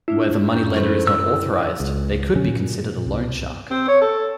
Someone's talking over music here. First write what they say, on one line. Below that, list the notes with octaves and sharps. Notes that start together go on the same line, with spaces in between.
Where the moneylender is not authorized, they could be considered a loan shark.
A3 D4 E4 F4
F#2 C#4 G6
F3 A3 B4
A#2 E6
C#2
B2 D3 F#3 C#4
A#2
C2
C4
C#5
A4